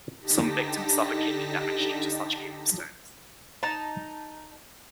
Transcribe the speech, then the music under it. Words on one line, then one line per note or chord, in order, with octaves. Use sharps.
Some victims suffer kidney damage due to such kidney stones.
D3 D#4 G4 A5 A#6 B6
D#4 A5